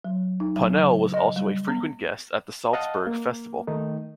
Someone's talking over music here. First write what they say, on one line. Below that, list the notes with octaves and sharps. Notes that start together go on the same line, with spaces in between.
Ponnelle also was a frequent guest at the Salzburg Festival.
F#3
D#4
F#3
C#3
D#5
G3
B3
D#5 F5 F#5 A5
A#3
D#3 A3 D#4